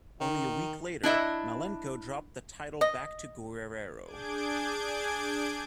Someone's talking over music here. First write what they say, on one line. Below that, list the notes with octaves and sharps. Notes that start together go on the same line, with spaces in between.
Only a week later, Malenko dropped the title back to Guerrero.
D#3
D4 E4 D#5 E5
D#5
D4 G#4 D6 G6 G#6 D7